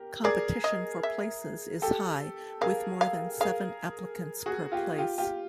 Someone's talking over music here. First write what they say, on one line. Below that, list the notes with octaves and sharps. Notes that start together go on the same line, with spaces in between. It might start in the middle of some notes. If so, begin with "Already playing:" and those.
Competition for places is high, with more than seven applicants per place.
Already playing: G4 A#4
G#4 A#4 D5
D#5
E5
G4 A4
G#4 A#4 F5
F5
G#4 A#4 F5
F#4 G#4
F4 G4
F4 G4
F4 G4